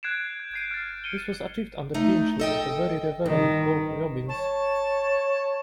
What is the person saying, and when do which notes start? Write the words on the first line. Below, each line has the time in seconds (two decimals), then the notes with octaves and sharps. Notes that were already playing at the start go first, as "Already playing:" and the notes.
This was achieved under deanship of the Very Reverend Boak Jobbins.
0.03 F#6 G#6 C7 D7 E7
0.39 G6
0.54 G6 G#6 C7 D7 D#7
0.71 F6 A6
1.04 C#7 D#7 G7
1.94 A3 D#4
2.40 A4 D#5 G5
3.26 G2 D#3
4.29 C#5 A5